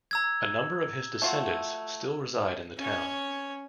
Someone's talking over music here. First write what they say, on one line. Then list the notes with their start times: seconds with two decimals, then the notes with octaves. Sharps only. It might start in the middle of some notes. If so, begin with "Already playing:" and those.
A number of his descendants still reside in the town.
0.11 A#5 E6 G#6
1.22 A3 F4 F#4
2.78 C#4 C#5